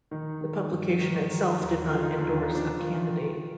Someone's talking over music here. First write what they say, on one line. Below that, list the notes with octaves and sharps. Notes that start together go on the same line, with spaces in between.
The publication itself did not endorse a candidate.
D#3 D#4
D#3
G2
D#3
D#3
D#2
D3 F4
D#4
F4
D#2
D#4
F3
D4
D#3 F4
D#3